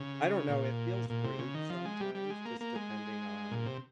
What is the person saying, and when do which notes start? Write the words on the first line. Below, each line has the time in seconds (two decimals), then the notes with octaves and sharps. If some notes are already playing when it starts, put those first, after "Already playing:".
I don't know, it feels rude sometimes, just depending on,
Already playing: C#3
0.49 A#2
1.10 A#2
1.24 C3
1.39 C#3
1.54 D#3
1.70 F3
1.85 G#3
2.00 G3
2.15 G3
2.30 G#3
2.45 A#3
2.61 A#3
2.75 G#3
3.51 A#2
3.66 C3